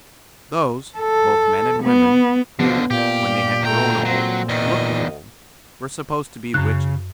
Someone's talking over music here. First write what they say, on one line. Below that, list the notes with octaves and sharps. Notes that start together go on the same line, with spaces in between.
Those, both men and women, who, when they had grown old looked old, were supposed to be witches.
A4
B3
D#2 D3 F3 B3
A#2 G4 D5 F5
D2 A3 G5 A#5
F#3 C4
E2 D#3 D#5
F#2 C#3 F#6